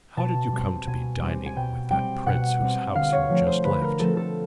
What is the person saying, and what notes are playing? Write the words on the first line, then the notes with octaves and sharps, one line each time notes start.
"How did you come to be dining with that prince whose house you have just left?"
B2 A5
G3 C4
B2 G#5
G3 C4
G#5
B2 G5
G3 C4 G5
B2 F#5
G3 C4
D3 F5
C#5
F3 A3 C4
C5
D3 B4
A#4
F3 A3 C4 A4
A4